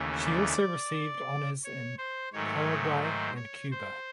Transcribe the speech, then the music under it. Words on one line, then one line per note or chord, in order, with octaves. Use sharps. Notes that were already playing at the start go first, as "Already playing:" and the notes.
She also received honors in Paraguay and Cuba.
Already playing: D#2 C#3 E3 A3
D5
C#5
C5
G#2 D#3 F#3 A3 C#5
C5
C#5
C5